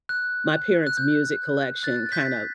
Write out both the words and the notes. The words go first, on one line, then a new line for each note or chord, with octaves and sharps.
my parents' music collection kinda
F#6
F#6
G6
F#6 A6
A6
G6 B6